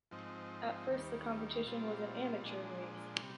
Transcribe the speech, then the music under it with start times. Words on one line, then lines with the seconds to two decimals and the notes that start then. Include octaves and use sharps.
At first the competition was an amateur race.
0.11 G#2 F3 C4 D#4
0.89 D#2 D#3 G3
1.66 A#2 G3 C4 F4
2.43 A#2 F3 G#3 D4
3.22 C3 G3